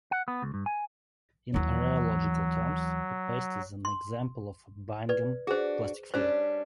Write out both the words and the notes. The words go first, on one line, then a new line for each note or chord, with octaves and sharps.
In rheological terms, a paste is an example of a Bingham plastic fluid.
F#5
B3
C#2
G2
G#5
D#2 E3 F#3
C6
B4 D5
D4 F#4 G#4 C5
G3 C#4 D4 C5